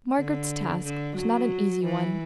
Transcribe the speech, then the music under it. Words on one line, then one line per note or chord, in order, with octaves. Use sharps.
Margaret's task was not an easy one.
D3
D3
F#3
E3